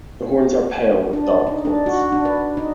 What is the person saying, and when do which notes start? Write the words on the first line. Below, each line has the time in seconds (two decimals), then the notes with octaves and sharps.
The horns are pale with dark points.
1.13 D4
1.47 D#4
1.65 D4
1.86 F#4
2.12 D4
2.25 B4
2.57 D#4